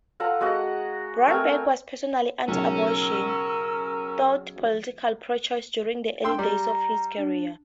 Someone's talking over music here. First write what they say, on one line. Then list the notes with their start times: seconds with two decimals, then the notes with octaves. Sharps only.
Brownback was personally anti-abortion though politically pro-choice during the early days of his career.
0.20 F4 A4 F#5 A#5
0.41 G#3 F#4 D#5 F#5
1.27 A3 C4 A#4 G#5
2.48 B1 C#3 C#4 A#4 E6
6.24 D4 G5 C6 E6
6.38 G3 D5 A#5
7.18 D4